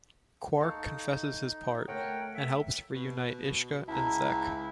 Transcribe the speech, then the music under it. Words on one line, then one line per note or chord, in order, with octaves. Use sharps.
Quark confesses his part, and helps reunite Ishka and Zek.
D#4 A4 F5 C#6
A3 A#4 C#5 F#5 G5
E5
B2
C#2 E4 A5 A#5